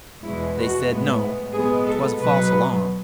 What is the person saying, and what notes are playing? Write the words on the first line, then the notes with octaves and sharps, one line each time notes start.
They said, no, 'twas a false alarm.
E2 B2 G#3 E4
F#4
A2 G#3 B3
B2 G#3 B3 G#4
A4
B2 F#3 B3 B4